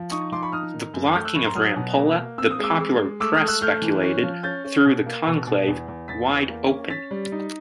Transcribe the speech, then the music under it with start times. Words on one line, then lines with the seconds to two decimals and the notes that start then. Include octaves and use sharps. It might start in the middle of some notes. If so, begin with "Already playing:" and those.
The blocking of Rampolla, the popular press speculated, threw the conclave wide open.
Already playing: F3
0.11 D#4 C#6 D#6
0.32 F3 C6 D6
0.42 B5 C#6
0.52 D#4 D#6 F6
0.73 D#3
0.94 F#2
1.15 A3 F6 G6
1.25 E6 F#6
1.34 F#2 B5 C#6
1.46 A#5 C6
1.55 F#3 D#6 F6
1.76 B2
1.97 A#3
2.18 A#3
2.38 C4 E6
2.51 D#6
2.59 G#3 D6 E6
2.79 G#3
3.00 G#3
3.20 A3 D6 E6
3.34 D#6 F6
3.41 A3
3.48 E6 F#6
3.61 A3 F6 G6
3.82 E3
4.03 C#4
4.23 F3
4.43 C#4 G6 A6
4.64 C#4
4.85 B2
5.06 A#3
5.26 B2
5.47 B2
5.68 E2
5.88 E2
6.08 E2 A6 B6
6.29 E2
6.49 A#3
6.70 C#4
6.90 C#4 A6 B6
7.11 G3
7.32 D#4